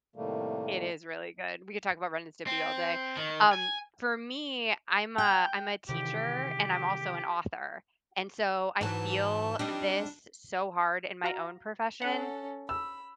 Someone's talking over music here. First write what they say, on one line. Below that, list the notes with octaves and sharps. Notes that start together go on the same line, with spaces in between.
It is really good, we could talk about Ren and Stimpy all day, um, for me, I'm a I'm a teacher and I'm also an author and, so, I feel this so hard in my own profession
A2 C3 D#3 G3 A3 A#3
C4
D#3
G#5
G5
C3 D#3 E3 G4
G#2 E3 F#3 A5
G3 C4 D4 D#4
F#4 F5 A#5
C#4 A4 F#5
B5 E6